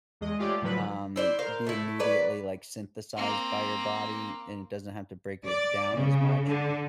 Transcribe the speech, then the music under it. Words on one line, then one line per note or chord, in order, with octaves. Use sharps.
um, be immediately, like, synthesized by your body, and it doesn't have to break it down as much.
E2 G#3 D#5
G#3 A3 F4 G4 C#5 D5
A2 D3 F3 F#3 B4 B5
E4 C5 D5
A#4 C5 F5
A3 E4
F#3 B4 D5
A#3 C4
D5
C#3
D3